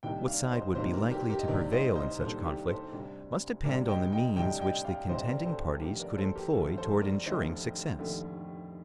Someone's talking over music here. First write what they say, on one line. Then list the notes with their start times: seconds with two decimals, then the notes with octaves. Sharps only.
What side would be likely to prevail in such a conflict, must depend on the means which the contending parties could employ toward insuring success.
0.03 C2 C3 D#3 A#3 D4 D#5 G5
0.27 D5 F5
0.51 C5 D#5
0.75 C2 C3 D#3 A#3 D4 C5 D#5
0.93 A#4 D5
1.11 G4 A#4
1.30 G4 A#4
1.39 D#5
1.48 C2 C3 D#3 A#3 D4 A#4 D5
1.72 C5 D#5
1.96 C5 D#5
2.20 C2 C3 D#3 A#3 D4 A4 C5
2.44 G4 A#4
2.68 A4 C5
2.92 D2 C3 G3 D4
3.64 D2 C3 G3 D4 A#4 D5
3.88 D#5 G5
4.12 D#5 G5
4.36 D2 C3 G3 D4 D#5 G5
4.60 D#5 G5
4.84 D5 F5
5.09 D2 C3 G3 D4 C5 D#5
5.27 A#4 D5
5.45 A4 C5
5.64 A4
5.81 F1 D#2 D3 A3 G4 A#4
6.00 A#4 D5
6.18 A4 C5
6.35 G4 A#4
6.53 F1 D#2 D3 A3 A4
6.78 A4 C5
7.01 A#4 D5
7.26 F1 D#2 D3 A3 C5 D#5
7.99 F1 D#2 D3 A3